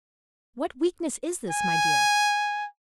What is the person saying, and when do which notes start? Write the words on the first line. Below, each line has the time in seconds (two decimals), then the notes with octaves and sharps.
What weakness is this, my dear!
1.51 G#5